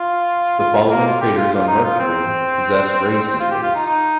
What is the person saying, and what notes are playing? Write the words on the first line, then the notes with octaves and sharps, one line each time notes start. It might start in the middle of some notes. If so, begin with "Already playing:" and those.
The following craters on Mercury possess ray systems.
Already playing: F4
F4
A#3
F4
G4
F4
F4
D#4
F4
C4
F4
G4
F4
D#4
D#4